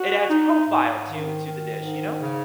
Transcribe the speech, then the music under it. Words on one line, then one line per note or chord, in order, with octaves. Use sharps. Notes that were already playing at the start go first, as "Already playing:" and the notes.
it adds profile to to the dish, you know?
Already playing: F#4
D#4
G#2
D#3
D#3
G#2
C#3